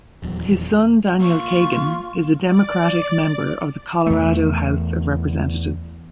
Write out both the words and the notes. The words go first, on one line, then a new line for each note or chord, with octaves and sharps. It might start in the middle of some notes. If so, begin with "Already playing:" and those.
His son Daniel Kagan is a Democratic Member of the Colorado House of Representatives.
D#1 E2 F#3
A#3 F4 C#5 C#6
D5
E2 A3